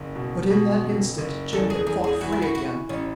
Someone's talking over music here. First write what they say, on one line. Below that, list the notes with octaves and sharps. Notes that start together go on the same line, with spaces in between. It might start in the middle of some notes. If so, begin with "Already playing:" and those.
But in that instant Jim had fought free again.
Already playing: F#1
B2
B2
F#1
F#1
E2 A4
G#4
E2 G#4
G#4
E3 F#4
E4
F#4
E3 F#4
A1 C#4